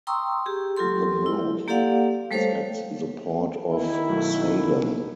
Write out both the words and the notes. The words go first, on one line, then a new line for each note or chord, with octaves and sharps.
The mouth is at the Port of Salem.
G5 A#5 C6 C#6 D#6 E6
G4 G#4
F#3 F4 G4 A4 C6
E4
A#3 G4 A4 D5 F5 F#5
G3 A3 A4 C5 C#5 F5
D#3 E4
B1 F#3 A3